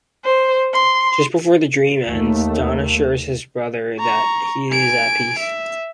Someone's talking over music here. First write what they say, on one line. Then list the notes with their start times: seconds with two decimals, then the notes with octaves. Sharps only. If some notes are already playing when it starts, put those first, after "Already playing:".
Just before the dream ends, Don assures his brother that he is at peace.
0.24 C5
0.73 C6
2.07 D#2 A3
3.99 A#5 C#6
4.72 G#5 D7
5.39 E5